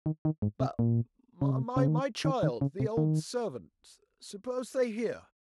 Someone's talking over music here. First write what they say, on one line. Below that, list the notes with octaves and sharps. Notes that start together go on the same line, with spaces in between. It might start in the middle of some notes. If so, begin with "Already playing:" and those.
"But, my child--the old servant--suppose they hear?"
D#3
D#3
G#2
C3
A#2
C#3
C3
C#3
D#3
D#3
D#3
C#3
C3
D#3